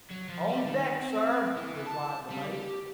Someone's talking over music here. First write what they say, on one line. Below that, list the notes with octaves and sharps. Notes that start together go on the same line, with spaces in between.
"On deck, sir," replied the mate.
F#3
F3
G3
D#3
C4
E3
A5
G3
G4